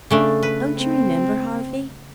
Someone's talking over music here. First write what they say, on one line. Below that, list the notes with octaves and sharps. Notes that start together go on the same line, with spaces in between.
Don't you remember, Harvey?
C#3 A3 D4
B4
C4